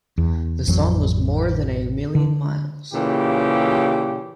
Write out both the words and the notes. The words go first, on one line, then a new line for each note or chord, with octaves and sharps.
The song was "More than a Million Miles".
E2
A1 F2 E3 F#3
D3
A#2 C#3 E3 G4